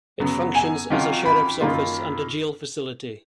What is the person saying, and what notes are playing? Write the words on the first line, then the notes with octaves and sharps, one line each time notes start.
It functions as a Sheriff's office and a jail facility.
F#2 C#3 F#3 B3
G#5
F2 D#3 F#3 C#4 F4
B5
F#2 D#3 A#3 F4